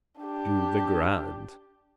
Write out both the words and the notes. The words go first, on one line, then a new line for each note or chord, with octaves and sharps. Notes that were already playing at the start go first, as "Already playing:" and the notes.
Do the grand.
D4 G4